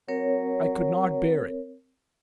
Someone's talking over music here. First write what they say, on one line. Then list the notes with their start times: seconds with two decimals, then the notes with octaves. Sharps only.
I could not bear it.
0.08 F#3 C4 A#4 C#5